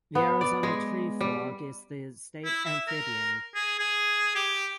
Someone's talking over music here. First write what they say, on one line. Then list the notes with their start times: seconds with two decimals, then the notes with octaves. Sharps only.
The Arizona tree frog is the state amphibian.
0.15 B3
0.41 D5
0.63 G#3
1.21 G3
2.45 E4
2.65 E5
2.87 A#4
3.55 G#4
3.80 G#4
4.35 G4